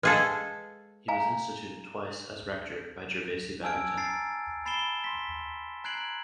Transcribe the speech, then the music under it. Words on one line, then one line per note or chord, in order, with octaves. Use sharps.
He was instituted twice as rector by Gervase Babington.
G#3 G#4 A4 B4 F5 G5
F5 G#5 A#5
G#5 A5 E6 F6 G#6 D7
A#5 A6 C7 D7
B5 A6 C7 D7 E7 G7
C6 B6
A#5 F#6 G#6 C7 D7 F#7